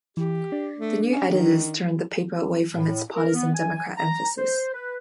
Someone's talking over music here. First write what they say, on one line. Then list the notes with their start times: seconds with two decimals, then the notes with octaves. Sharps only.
The new editors turned the paper away from its partisan Democrat emphasis.
0.17 E3 G4
0.52 D4
0.78 A3
1.12 C#4
1.30 D#3
2.75 A2
3.15 A#4
3.35 B3
3.55 G#5
3.97 A#5
4.38 C5
4.74 B4